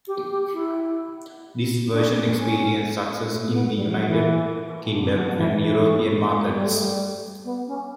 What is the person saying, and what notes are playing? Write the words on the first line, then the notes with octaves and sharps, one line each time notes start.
This version experienced success in the United Kingdom and European markets.
G4
G4
E4
D4
C#4
A3
B3
G3
E3
F#3
E3
F#3
E3
E3
G3
A3
G3
B3
C#4